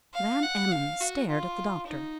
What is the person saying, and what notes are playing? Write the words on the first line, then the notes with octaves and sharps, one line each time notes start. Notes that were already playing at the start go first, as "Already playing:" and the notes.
Van Emmon stared at the doctor.
F5
F#5
F5
F#4
F4
D#4